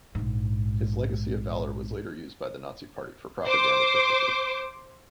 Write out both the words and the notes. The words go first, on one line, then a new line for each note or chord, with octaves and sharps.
His legacy of valor was later used by the Nazi Party for propaganda purposes.
A#1 G#2
C5 D6